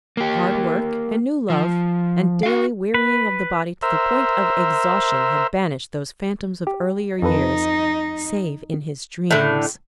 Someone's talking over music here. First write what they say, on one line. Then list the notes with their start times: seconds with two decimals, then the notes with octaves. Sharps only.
Hard work and new love and daily wearying of the body to the point of exhaustion had banished those phantoms of earlier years, save in his dreams.
0.17 A#3 G4
1.50 F3
2.43 F#4 F5
2.94 B4
3.82 A#4 C5 E5
6.67 G4
7.22 F2 D#4 A4 B4
9.31 A2 D3